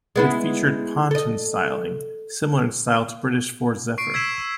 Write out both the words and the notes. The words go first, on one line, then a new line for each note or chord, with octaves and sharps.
It featured ponton styling, similar in style to British Ford Zephyr.
G#3 B3 E4
A4 D#5
C#6 C7 D7
E6 G#6 B6 C7 E7